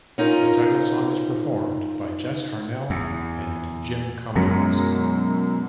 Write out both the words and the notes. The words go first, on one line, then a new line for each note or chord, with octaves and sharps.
The title song is performed by Jess Harnell and Jim Cummings.
C#4 D#4 F4 A#4
E2
F#2 B2 G#3